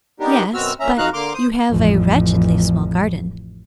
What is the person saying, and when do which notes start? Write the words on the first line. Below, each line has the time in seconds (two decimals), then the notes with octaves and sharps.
"Yes; but you have a wretchedly small garden."
0.20 B3 D4 D#4 G4 A#4
0.54 F#2 B2 C4 F#4 E6 F6
0.80 A#2 C#4 E5 A#5
0.98 F2 D#4 F#4 F5 A#5 F#6
1.14 D3 A#3 C6 D6 F6
1.34 C5 D#6
1.70 A1 F2